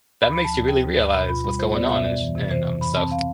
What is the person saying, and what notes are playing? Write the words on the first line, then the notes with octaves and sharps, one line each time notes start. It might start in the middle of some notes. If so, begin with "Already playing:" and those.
that makes you really realize what's going on and sh and, um, stuff.
D2 B5
F3 B5
A5
D2
D2 G5
D2
D2
B2 B5
F4 B5
G3 B5
F4 C5
B3 D5
B2 E5
F2 D5
E3
C3
E3 C5
F2
E3 B5
C4 A5
C4 F5